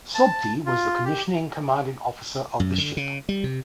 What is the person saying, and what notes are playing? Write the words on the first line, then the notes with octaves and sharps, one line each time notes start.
Sobti was the commissioning Commanding Officer of the ship.
A5
F4
G4
F#2
D3
C#3
G3
C3